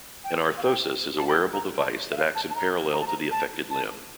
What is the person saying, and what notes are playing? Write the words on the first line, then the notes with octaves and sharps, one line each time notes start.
An orthosis is a wearable device that acts in parallel to the affected limb.
G5
F5
G5
A5
G5
A#5
A5
E5
F5
A5
A5
A#5
A#5
A5
A#5
A5
A5